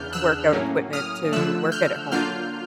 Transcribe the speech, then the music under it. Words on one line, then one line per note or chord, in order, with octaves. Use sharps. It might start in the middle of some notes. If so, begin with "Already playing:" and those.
workout equipment to work at home
Already playing: E2 C#3 B3 D4 F6 G6
E6 F#6
A2 F#3 A#3 C#4
D#6 F6
D3 F3 A3 E6 F#6
F6 G6
D3 F#3 A#3 D4 F4 F6 G6